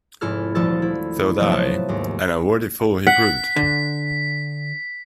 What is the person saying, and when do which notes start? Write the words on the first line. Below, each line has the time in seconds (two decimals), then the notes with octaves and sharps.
Thought I, and a worthy fool he proved.
0.21 F1 G#2 E4 A4 F6
0.55 D#1 D2 F3 A4 A6
0.82 E4
1.39 C3 F3 F#3 A3 B3
1.52 A5
1.89 D#2 G#2
3.07 F#5 B6
3.56 D3